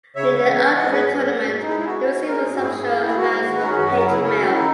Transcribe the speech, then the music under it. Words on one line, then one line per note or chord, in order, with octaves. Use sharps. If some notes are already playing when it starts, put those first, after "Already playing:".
Leading up to the tournament he received substantial amounts of hate mail.
C#3 C#5 E5
G#3
E3
B3
G#2 D#5 F#5
B3 G#4 B4
F#3
G#2
B2
D#4
G#3 E4 G#4
E4
B2 F#4
A#2
C#4
G#3 A#4
A#2 G#4
F#4
G#2
E4 G#4
B3
E3
E4
G#4
G#2 F#4
G#3
D#3
B4
C#4 A#4
G#4
F#2 F#4
F#3 A#4
C#3 E4 G#4
C#4 E4
D#3 F#4
D#4 E4